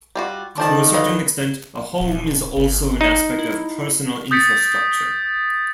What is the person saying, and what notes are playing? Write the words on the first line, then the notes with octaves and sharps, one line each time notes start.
To a certain extent, a home is also an aspect of personal infrastructure.
G3 F4 F#4
D3 D#3 D4 C5 A5
B4 D#5 F5
D#1
G1
D#4
E4
D#6 G6 A6 B6 C#7 D7